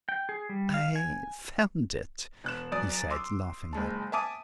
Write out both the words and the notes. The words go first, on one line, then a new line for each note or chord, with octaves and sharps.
"I found it!" he said laughingly.
G5
G#4
G3
F5
G#5
E1 F#6 E7
F#2 D5 D#6
C6 D6 E6
F#1 G#3 A5
E5 G#5 A5 D6 D#6 D#7